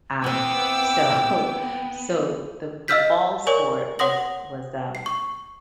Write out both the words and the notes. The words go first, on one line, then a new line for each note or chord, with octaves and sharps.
Um, so so the the fall sport was was, um
E2 B3 C4 G5 D6 E6
D#5 F5 E6 F6 G6 B6
A#4 C#5 D5 G#5 C#6
C#5 F#5 C6 D#6 A#6 F#7
C7
C#6